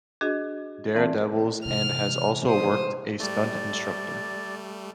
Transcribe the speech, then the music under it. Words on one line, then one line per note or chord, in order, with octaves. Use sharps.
Daredevils and has also worked a stunt instructor.
D4 F#4 G#4 D#5
E3 C4 D5 A5
C3 E3 F6
C5 D#6
G3 A3 D5